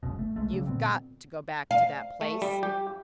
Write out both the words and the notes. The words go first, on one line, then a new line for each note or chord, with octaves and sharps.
"You've GOT to go back to that place?"
G1 C#2 F#2 B2
A3
B1 G#3 A3
C#3 F#3 G3
A#2 D3 B3 C4
F5
A3
G3
G4